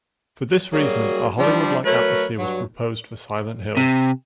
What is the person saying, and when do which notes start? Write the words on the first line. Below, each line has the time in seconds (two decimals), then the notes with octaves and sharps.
For this reason, a Hollywood-like atmosphere was proposed for "Silent Hill".
0.73 F#3 G3 A#3 C#4 F#4 G#4
1.38 F3 G3 D4
1.85 F#3 A3 A#4 B4 C#5
2.38 G2 F#3
3.77 C3